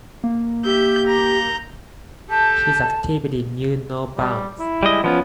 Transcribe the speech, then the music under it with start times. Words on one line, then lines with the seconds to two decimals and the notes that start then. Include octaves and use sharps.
His activity knew no bounds.
0.24 A#3
0.65 G4 E5 G6
1.07 A#5 G6
2.30 G4 A4 A5
4.17 G3
4.59 E4
4.83 G3 G#3 D#5
5.04 F3 B3 C#4 F4